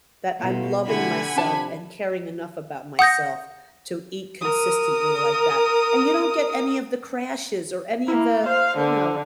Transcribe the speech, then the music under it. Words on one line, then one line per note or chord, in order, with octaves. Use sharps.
that I'm loving myself and caring enough about myself to eat consistently like that and you don't get any of the crashes or any of the you know,
B2 E3 A3 F4
D3 A3 E4 G4 F#5 G#5 B5
C3 F3 D4 A5
F#5 D#6 G6 A#6
A#4 D#6
A#3 E4
C5 F5
D3